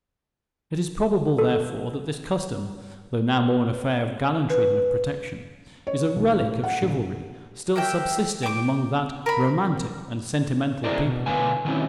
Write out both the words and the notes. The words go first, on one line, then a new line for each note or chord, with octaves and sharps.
It is probable, therefore, that this custom, though now more an affair of gallantry than of protection, is a relic of chivalry still subsisting among that romantic and sentimental people.
A4
B4
C#5
B1
A2
F#5
A#1
A#3 E5 G5
G5 D6
A#4 B5
D4 E4 G#4 A#4 C5 D5
B2
B2 D3 A3 B4 F5 G#5
D#3 F#3 C4 C#4 E4